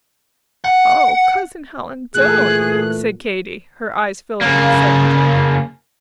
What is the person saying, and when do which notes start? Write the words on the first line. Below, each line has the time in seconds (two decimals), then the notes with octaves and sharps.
"Oh, Cousin Helen, don't!" said Katy, her eyes filling with sudden tears.
0.65 F#5
2.14 A#2 E3 A3 G#4 F#6
4.42 C#3 A#3